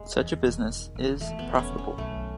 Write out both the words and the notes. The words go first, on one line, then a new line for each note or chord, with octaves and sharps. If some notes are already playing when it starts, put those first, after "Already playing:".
Such a business is profitable.
Already playing: E1 G#3
E2
E1
D#3
E1
E2 A3
B3
E1
C#4
D#3
C#4
B1 A3